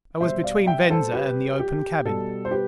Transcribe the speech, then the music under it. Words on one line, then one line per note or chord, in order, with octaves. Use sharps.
I was between Venza and the open cabin.
B2 G3 C5 E5
D5 F5
E5 G5
A4 C5
G4 B4
G4
B2 G3 A4
C5
G4 B4